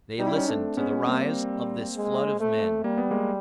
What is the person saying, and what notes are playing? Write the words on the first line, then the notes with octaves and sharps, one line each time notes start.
They listened to the rise of this flood of men.
G3 D#4
E4
C#4 D#4
A3 C4 D4
G#3 B3 C#4
G3 A#3 C4
G#3
A3
G3 A#3
B3
G#3 A#3